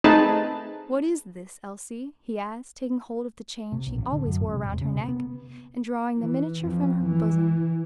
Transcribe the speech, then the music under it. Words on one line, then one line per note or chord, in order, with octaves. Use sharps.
"What is this, Elsie?" he asked, taking hold of the chain she always wore around her neck, and drawing the miniature from her bosom.
A3 C4 D#4 G#4 B4 A5
C3
B1
A1
D3
F#2
A1
C3
E1
C#3
C3
B3
E3
F2
E3